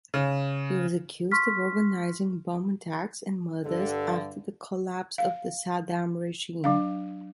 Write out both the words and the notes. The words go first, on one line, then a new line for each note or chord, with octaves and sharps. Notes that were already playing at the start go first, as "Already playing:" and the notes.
He was accused of organizing bomb attacks and murders after the collapse of the Saddam regime.
C#3
C6 C#6 F6 B6
G2 D3 A4
F5
F#3 D4 F5